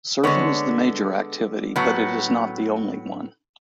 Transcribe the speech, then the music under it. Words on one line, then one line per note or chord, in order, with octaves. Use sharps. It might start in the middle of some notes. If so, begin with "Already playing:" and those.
Surfing is the major activity but it is not the only one.
D3 G#3 B3 C#5
A2 F#3 B3